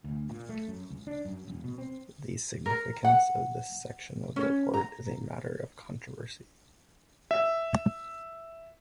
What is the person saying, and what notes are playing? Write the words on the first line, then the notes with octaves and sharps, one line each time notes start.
The significance of this section of the report is a matter of controversy.
D2
A#2
A3
F#2
C#2
D4
F#2
E1
B2
C4
A#4
F#5
C#4
A#5
E5